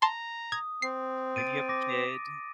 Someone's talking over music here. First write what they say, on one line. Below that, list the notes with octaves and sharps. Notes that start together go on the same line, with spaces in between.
maybe you have a kid,
A5 A#5 C6
D#6 G#6
C4 C7
A6 D7 D#7
D6 A#6